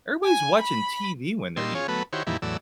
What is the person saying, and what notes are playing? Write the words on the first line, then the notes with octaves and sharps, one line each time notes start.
everybody's watching TV when they're eating."
G#5
B5
A#2 G3 D#4 C6 E6
C#4 F4 G#4 C#5
F#3 A3 B3 B4
D#3 E4 F#4 G4 C5 C#5
F2 A#2 D#3 E3 G3 E4
E2 A2 F#3 D5 E6